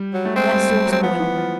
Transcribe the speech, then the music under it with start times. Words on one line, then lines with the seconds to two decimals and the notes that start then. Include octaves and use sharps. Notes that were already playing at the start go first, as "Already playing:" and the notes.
Let sauce boil.
Already playing: G3
0.14 F#3
0.25 A3
0.36 G#3 C4
0.53 G3
0.70 G3
0.86 F#3
0.92 C4
1.03 F3 B3
1.20 E3
1.36 F3